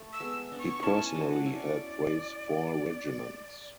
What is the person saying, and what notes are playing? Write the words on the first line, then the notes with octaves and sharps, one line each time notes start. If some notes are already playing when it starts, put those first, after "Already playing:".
He personally helped raise four regiments.
Already playing: A3
E6
G#3 B3
B3 D4
C#6
C#4 E4 A5
G#5
D4 F#4
F#5
C#4 E4
D5